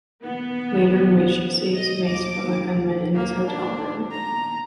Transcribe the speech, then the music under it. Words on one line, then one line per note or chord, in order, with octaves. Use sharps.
Later, Mitch saves Mace from a gunman in his hotel room.
B3
D#5
D6
A#3
D4
A#5